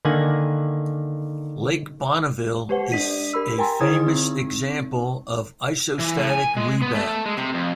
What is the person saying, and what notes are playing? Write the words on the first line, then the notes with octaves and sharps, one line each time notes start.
Lake Bonneville is a famous example of isostatic rebound.
D3 D#3 A#3 F#5 G#5
G#3 G4 B4 C5 F#5
D4 D5 B6 D#7
G4 A#4 B5 E6
A#4 G5 G#5 A#5 C6
D3 E4 G#4 C5 D#6 G#6
C4 D#4
E3
A2
G#5
G#3
B3
A3
G#3
C3
F2